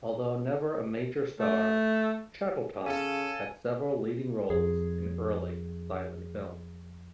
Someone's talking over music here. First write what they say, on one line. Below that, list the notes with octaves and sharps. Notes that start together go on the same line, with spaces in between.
Although never a major star, Chatterton had several leading roles in early silent films.
A3
C#3 A4 F5 G#5
F2 G#4